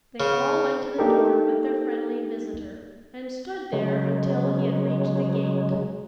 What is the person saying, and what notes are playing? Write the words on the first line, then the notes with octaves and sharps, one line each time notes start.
They all went to the door with their friendly visitor, and stood there until he had reached the gate.
C#3
A#3 D4 D#4 G4 A4 A#4
C#3 F#3 G#3